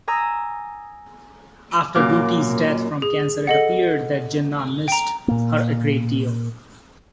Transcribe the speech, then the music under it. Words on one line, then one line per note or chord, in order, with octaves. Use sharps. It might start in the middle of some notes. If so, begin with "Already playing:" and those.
After Ruttie's death from cancer, it appeared that Jinnah missed her a great deal.
G#5 A#5 D#6 E6
F#2 A#2 D6 F6
G#4
A4 D#5 F#5
G5 A#5
A#2 A#3